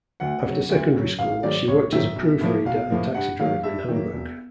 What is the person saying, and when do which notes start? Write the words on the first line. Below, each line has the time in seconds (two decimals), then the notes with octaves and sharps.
After secondary school, she worked as a proof-reader and taxi driver in Hamburg.
0.20 D2 F#5
0.45 C#3 F#3
0.69 D2
0.94 C#3 F#3
1.19 A1 F5
1.43 G#2 D#3 F#3 D5
1.68 A1 C#5
1.92 G#2 D#3 F#3 E5
2.16 B1
2.41 A2 F3 A#3
2.65 B1 F5
2.90 A2 F3 A#3
3.14 G2 F#5
3.39 D#3 F#3 A#3 F5
3.63 G2 E5
3.89 D#3 F#3 A#3
4.13 E1